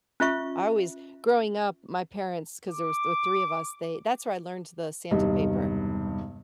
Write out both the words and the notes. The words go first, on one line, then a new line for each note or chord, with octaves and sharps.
I always Growing up, my parents 'cause there was th three of us, they that's where I learned the Santa paper.
C#4 F4 E5 C#6
D6
E1 G2 C3 D#3 D#5